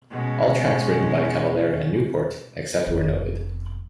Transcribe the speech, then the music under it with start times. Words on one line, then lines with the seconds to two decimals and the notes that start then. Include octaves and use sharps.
All tracks written by Cavalera and Newport, except where noted.
0.11 B2 G#3 C#4
2.86 F1 E2